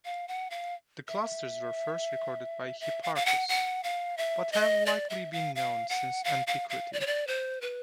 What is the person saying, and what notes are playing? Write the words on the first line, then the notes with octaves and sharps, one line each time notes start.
The clusters were first recorded by Hipparchus, but have likely been known since antiquity.
F5
F#5
F5
E5
E5
F5
F5
F#5
F#5
F5
E5
D#5
D5
E5
F5
F5
F#5
F5
F5
F5
D5
C#5
D5
C5
B4